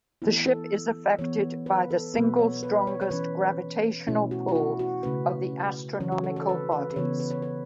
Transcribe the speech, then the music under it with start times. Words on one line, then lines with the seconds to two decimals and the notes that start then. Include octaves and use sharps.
The ship is affected by the single strongest gravitational pull of the astronomical bodies.
0.22 E3 B3 E4
0.46 A4
1.19 E3 B3 C#5
1.66 B4
1.91 A4
2.14 B2 F#3 B3 B4
2.39 C#5
2.63 B4
2.87 C#5
3.01 C#5
3.11 E3 C#4 B4
4.07 B2 A3 C#4 E4
4.31 F#4
4.48 F#4
4.55 E4
4.79 F#4
5.03 C#3 A3 C#4 B4
6.00 C#3 E3 C#4 C#5
6.12 F#4
6.24 A4
6.36 A4
6.49 B4
6.72 B4
6.90 B4
6.96 C#3 E3 B3 C#5
7.20 B4
7.31 C#5
7.42 B4